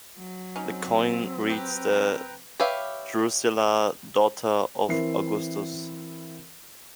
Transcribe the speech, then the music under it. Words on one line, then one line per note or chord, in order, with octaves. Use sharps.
The coin reads to Drusilla, daughter of Augustus.
F#3
C4 C#4 D#4
G4 B4 G5 A#5
G4 B4 C#5 E5 F5
E3 C4 E4 A#4 C7